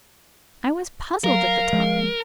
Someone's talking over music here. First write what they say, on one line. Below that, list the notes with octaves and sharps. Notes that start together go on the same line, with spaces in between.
I was puzzled at the time.
F#3 A#4 F5
F3 G#3